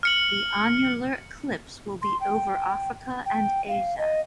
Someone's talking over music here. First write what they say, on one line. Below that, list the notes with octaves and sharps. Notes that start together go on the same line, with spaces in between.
The annular eclipse will be over Africa and Asia.
F6 C#7 F#7
C6
G5
G5
F5
D#5